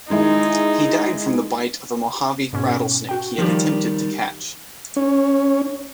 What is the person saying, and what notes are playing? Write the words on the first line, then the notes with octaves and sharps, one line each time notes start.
He died from the bite of a Mojave rattlesnake he had attempted to catch.
D#3 G#3 D#4 E4
G#2 B2 C#4
F#4 G5
D#3 F3 G3 G4
C#4